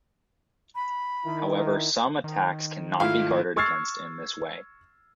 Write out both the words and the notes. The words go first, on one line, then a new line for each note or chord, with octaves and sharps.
However, some attacks cannot be guarded against in this way.
B5
D#3 E4
D#3
G#2 A3 E4 F4 F5
C#6 E6 F6 G#6 A6 C7